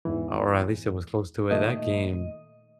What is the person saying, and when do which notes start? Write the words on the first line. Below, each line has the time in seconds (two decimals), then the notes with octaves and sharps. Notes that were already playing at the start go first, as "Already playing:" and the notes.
or at least it was close to it. That game
0.05 E2 G#2 E3
1.51 A#2 D#3 A3 D#5